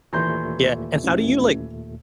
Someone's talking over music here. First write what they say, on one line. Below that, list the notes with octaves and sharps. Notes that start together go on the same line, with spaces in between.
Yeah, and how do you, like
D#2 A#2 E3 A3 A#5 C6 G6
A1